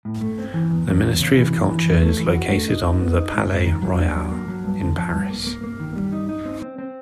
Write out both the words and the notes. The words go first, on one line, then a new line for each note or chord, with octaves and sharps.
The Ministry of Culture is located on the Palais Royal in Paris.
A2
A3
C4
E3
E2
E2
E2
C#3
E3
E2
E3
E2
A3
E3
F#4
A3
D#4
D#4
B3
D#4
G#2
G#2
D#3
F#3
D4
F#3
A#3
F#3
G2
D3
F3
G2
A#3
A#3
A#3
D#3
G3
D#4
D#4
C4
C4
C4